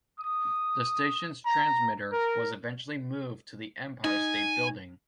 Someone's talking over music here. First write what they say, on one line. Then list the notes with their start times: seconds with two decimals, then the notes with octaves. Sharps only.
The station's transmitter was eventually moved to the Empire State Building.
0.20 D#6
1.46 A#5
2.12 A#4
4.04 D#4 G#5